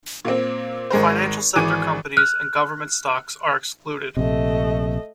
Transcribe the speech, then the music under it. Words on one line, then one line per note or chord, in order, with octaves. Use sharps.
Financial sector companies and government stocks are excluded.
A#2 A#3 C4
G#1 G#3 A#4 C5
G#1 E3 G#4 D6 D#7
F6 F#6
A#1 C3 A3 D#5